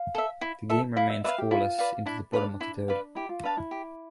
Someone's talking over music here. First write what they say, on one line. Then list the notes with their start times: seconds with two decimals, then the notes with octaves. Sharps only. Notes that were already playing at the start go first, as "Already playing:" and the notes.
The game remained scoreless into the bottom of the third.
Already playing: F5
0.15 A4 E5
0.41 E4
0.69 A4 E5
0.96 E4 F5
1.10 E5
1.24 B4 D5 E5 F5
1.38 G4
1.51 E4 F4
1.78 B4 D5 F5
2.06 D4 E4
2.32 D4 B4 D5 F5
2.61 E4
2.88 B4 D5 F5
3.15 E4 G4
3.29 F4
3.43 D4 B4 F5 A5
3.57 E4
3.71 G4